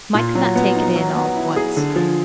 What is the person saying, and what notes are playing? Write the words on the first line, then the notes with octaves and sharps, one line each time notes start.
Mike could not take it in all at once.
A#2
F#3
B3
D#4
F#3
B3
E4
G#4
D3
F3